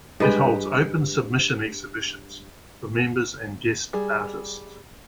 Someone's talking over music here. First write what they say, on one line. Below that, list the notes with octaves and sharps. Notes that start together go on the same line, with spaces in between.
It holds open submission exhibitions for members and guest artists.
G2 G#3 B4 G5
G3 G#4